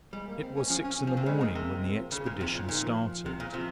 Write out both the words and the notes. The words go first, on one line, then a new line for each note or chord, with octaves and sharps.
It was six in the morning when the expedition started.
G3 G#3
A#3
C4
C#4
F3 C#4
C#4
C#4
F3
C3 C4
C#3 G#3
D#3
C3 A#3
A#3
C4
F3
A#2
C#3
C3
A#2 C#3
D#3
C3 F3
A#2
F3
A#2 D#3
F3
C3
A#2
C3 F3